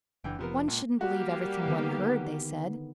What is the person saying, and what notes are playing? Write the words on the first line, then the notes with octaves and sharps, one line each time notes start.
One shouldn't believe everything one heard, they said.
F#1 D3 E3 G5
F1 C3 F3 B3 A#4
C#2 A#2
G3 A#3 F#4 G4
D3 D#3 B3